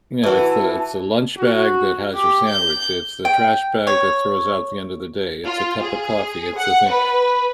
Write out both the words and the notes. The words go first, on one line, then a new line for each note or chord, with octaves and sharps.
You know, it's the, it's a lunch bag that has your sandwich, it's the trash bag that throws out at the end of the day, it's a cup of coffee, it's the thing,
E3 F#4 A5
F#4
G4
G6
G5
C#5
F4
G#4
F#5
B4